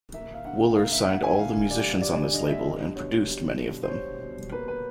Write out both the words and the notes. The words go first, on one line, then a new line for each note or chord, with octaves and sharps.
Wooler signed all the musicians on this label and produced many of them.
A#3 E5
F5
D3 F#5
A#3 F5
E5
D3 F#5
G#5
D3 F5
G3 D5
G3 D5
D5
D3 D#5
E5
G3 D#5
B2 C#5
G3
B2
C5
G3 C#5
B2
A#3 B4
B4